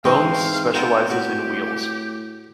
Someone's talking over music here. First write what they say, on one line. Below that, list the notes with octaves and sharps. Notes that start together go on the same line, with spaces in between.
Bones specializes in wheels.
G#2 E3 C4 D#5 F5
B3 F4 A#4 G5
A2 F#4 G4